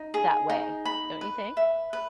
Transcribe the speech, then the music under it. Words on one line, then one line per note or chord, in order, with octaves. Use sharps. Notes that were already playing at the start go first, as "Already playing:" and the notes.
that way, don't you think?
Already playing: D#4
G#4
D#4
B5
B4
E5
B4